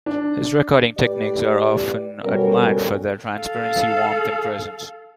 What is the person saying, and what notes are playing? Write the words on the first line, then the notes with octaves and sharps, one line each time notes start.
His recording techniques are often admired for their transparency, warmth and presence.
D4
A2 G4 B4 D5
F#2 B2 G3 C#4 A4 A#4
A4 F5